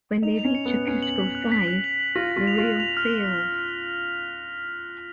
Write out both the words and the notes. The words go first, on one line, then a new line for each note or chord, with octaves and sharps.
When they reach a critical size, the rail fails.
D#4 F7
F7
C#4
C#7
B3
F#6
C#4 F#6
F#7
B6
F#6
B6
F#6
F#7
F#7
F4 A#6
F4 A#6
F7
F4
F#6
F7
F6